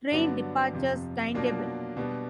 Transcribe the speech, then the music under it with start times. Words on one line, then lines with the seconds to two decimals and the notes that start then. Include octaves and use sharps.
Train departures timetable.
0.11 G2 D3 F#3 B3 D4
0.73 F2 C3 F3
1.34 B2 F#3 A#3 D4 F4
1.97 B2 G3 B3 D4